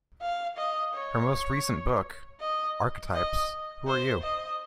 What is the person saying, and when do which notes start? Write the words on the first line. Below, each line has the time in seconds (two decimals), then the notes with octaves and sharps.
Her most recent book, Archetypes: Who Are You?
0.21 F5
0.58 D#5
0.94 C#5
2.40 D#5
3.14 D#5
3.87 C5
4.23 D#5